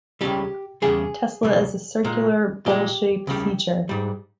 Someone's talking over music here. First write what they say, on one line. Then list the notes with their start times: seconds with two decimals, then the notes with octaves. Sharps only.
Tesla is a circular, bowl-shaped feature.
0.21 C#2 C#3 G3 G4
0.82 E2 C#3 G3 G#4
1.43 C#2 B2 G3
2.04 A#2 G#3
2.66 A#2 G#3 G4
3.27 C#2 C#3 G3
3.89 G#2 G3